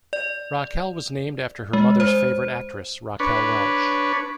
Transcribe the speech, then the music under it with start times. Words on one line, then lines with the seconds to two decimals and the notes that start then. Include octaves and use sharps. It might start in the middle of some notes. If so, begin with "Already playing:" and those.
Raquel was named after her mother's favorite actress, Raquel Welch.
0.13 D5
1.73 G#3
2.00 C5
3.20 D4 B4 C#5